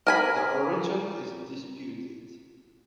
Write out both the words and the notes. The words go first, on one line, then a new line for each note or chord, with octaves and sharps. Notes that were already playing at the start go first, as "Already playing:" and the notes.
The origin is disputed.
A#4 G#5 B5